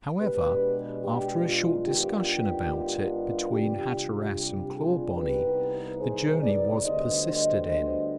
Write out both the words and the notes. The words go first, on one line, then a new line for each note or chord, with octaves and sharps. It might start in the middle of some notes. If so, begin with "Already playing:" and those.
However, after a short discussion about it between Hatteras and Clawbonny, the journey was persisted in.
B2 G#3 B3 D4 G4 B4
G4
F4
G#2 D#3 B3 D4 F4 G4
C3 G3 D4 F4 G4
G4
F4 G#4
C2 C3 G3 B3 D#4 G4 B4
G#4 C5
B4 D5
D2 D3 G3 B3 C5 D#5
C5 D#5
C5 D#5